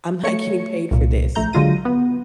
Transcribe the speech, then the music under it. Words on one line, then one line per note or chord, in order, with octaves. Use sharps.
I'm not getting paid for this,
A3 C#5 C#7
C2 A#2
A#1 A3 A#5 G6
D3 F#3 G#3 F4 A#6 D#7
B3